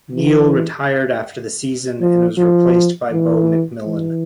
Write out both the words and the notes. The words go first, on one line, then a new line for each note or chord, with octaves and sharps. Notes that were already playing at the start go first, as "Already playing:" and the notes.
Neale retired after the season and was replaced by Bo McMillin.
E3
F3
F3
E3
E3